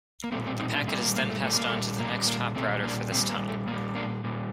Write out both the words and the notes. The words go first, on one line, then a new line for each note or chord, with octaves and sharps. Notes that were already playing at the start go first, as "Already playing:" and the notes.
The packet is then passed on to the next hop router for this tunnel.
A#3
A#2 G3 A3 C4
A3 C4
C4 D#4
A#3 D4
A#2 G3 A3 C4
A#3
A#3
A3
A#2 G3 A3
A#3
A3
A#2 G3 A#3
A#3
A#2 G3 A3 C4
A#3 D4
A#2 G3 A3 C4
A#3
A3
A#2 G3 A#3
A#3 D4
A#2 G3